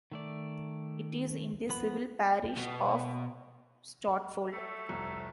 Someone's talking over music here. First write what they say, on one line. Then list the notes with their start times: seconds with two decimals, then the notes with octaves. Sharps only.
It is in the civil parish of Stotfold.
0.12 D#3 A3 D5
1.69 F3 B3 B5
2.58 B2
4.52 F#3 A3
4.89 F1 C2